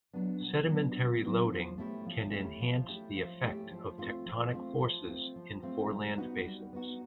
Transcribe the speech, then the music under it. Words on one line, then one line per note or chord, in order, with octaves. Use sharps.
Sedimentary loading can enhance the effect of tectonic forces in foreland basins.
F#3 B3 D4
B2
F#3 B3 D4
B2
F#3 B3 D4
F3
A3 C#4 E4 G4
F3
A3 C#4 E4 G4
F3
A3 C#4 E4 G4
F3
A3 C#4 E4 G4
F3
A3 C4 F4
F3
A3 C4 F4
F3
A3 C4 F4
F3
A3 C4 F4
G3
B3 D#4 F#4
G3
B3 D#4 F#4